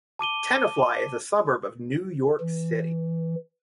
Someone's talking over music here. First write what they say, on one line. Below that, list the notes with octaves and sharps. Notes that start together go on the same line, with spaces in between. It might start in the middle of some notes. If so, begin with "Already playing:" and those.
Tenafly is a suburb of New York City.
A5 D6 D#7 G7
E3